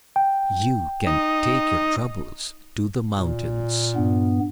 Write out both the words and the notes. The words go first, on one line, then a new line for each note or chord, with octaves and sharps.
You can take your troubles to the mountains.
G5
D#4
A#2
G2 B3